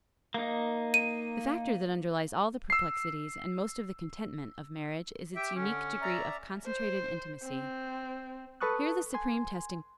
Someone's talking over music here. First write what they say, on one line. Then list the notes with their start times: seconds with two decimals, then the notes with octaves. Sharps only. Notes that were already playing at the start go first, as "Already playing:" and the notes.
The factor that underlies all the perplexities, and most of the contentment, of marriage is its unique degree of concentrated intimacy. Here the supreme testing always comes.
0.34 A#3 D#4
0.94 D#7
2.70 E6 C7
5.35 G4 E5 G5
5.56 D3 C#4
6.02 D5 E5 A#5
6.66 C5
7.44 C4
8.61 A4 B4 A5 C#6 D#6 F#6
9.14 G#5 C6